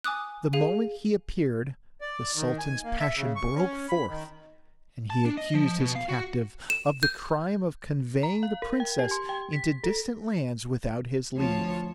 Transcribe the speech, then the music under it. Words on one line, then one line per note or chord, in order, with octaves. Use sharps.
The moment he appeared the sultan's passion broke forth, and he accused his captive of the crime of conveying the princess into distant lands without his leave.
G#5 D6 D#6 F#6
G#4 F5 D#7
D5
D#3
G#5
A#3
E5
C#3
C#6
C#4
B5
D#3
A5
D4
D#5
F3
B2
F5
F#4
E7
G6
A#5
F5
A#4
G5
G4
C6
G5
B6
A4
D2 F3 F4 C#5 A5